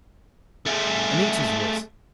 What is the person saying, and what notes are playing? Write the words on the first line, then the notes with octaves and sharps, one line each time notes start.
Anita's voice!
A3 G#4